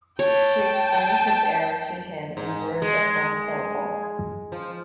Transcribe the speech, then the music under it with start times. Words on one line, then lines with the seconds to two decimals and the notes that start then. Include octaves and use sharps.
She explained his error to him in words of one syllable.
0.19 C#5 G5 A5
2.37 G#2
2.82 G#3
4.52 F3